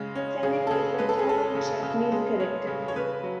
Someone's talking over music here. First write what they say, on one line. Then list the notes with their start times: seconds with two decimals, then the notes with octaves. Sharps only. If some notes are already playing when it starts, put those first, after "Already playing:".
"Sennin" is a common Japanese character name.
Already playing: C#3 G#3
0.15 C#4
0.43 C#3 G#4
0.67 A4
0.71 C#3 G#4
0.98 G#3 B4
1.09 A4
1.19 G#4
1.27 C#4 A4
1.55 C#3
1.83 C#3
2.12 G#3
2.40 C#4
2.67 C#3
2.88 C#5
2.96 C#3 B4
3.23 F#3